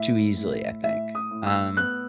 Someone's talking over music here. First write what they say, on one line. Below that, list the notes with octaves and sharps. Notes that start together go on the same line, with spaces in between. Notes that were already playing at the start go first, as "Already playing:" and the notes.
too easily, I think. Um
Already playing: A2 E5
A2
A2 E5
D#6
A2
E6
B3 F#6